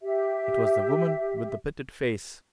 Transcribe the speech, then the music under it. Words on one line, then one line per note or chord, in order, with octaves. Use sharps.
It was the woman with the pitted face.
G4 E5